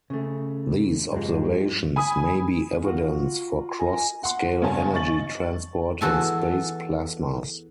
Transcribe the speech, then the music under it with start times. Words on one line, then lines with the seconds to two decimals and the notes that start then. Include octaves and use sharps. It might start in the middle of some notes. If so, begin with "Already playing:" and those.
These observations may be evidence for cross-scale energy transport in space plasmas.
0.10 C#3 A3
1.12 G2 F3 G#3
1.96 G#5 B5 D#6
2.83 F4 F#4 F#5
3.79 A#4 D#5 G#5 A#5
4.23 F#5 C6
4.62 G2 C#3 C4 C#4 G#5 A5
4.93 D#5 C#6 A6 F#7
6.01 E2 F#4 A4 G#5